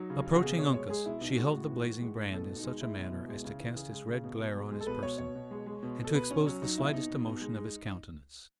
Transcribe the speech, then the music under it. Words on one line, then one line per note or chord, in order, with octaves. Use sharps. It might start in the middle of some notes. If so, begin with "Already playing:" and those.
Approaching Uncas, she held the blazing brand in such a manner as to cast its red glare on his person, and to expose the slightest emotion of his countenance.
Already playing: F#3 D#4
C#3
C#3
F#4
B2 G#4
B2 C#5
G#3 C#5
G#3 G#4
B2 E4
B2 D#4
G#3 F#4
A2
E3
A2
G#3
A2
B2 A4
B2
D#4
G#3
G#3 E4
B2
B2
G#3
C#3
E3
C#3 G#4
G#3
C#3
B2
B2
G#3
G#3
A4
B2 B4
B2 C#5
B2 C#5
B2
G#3
G#3
B2
B2
A4
B2 B4
B2 C#4
F#3 C#4
F#3 D#4
B2 E4
B2 D#4
B2
B2
G#3
G#3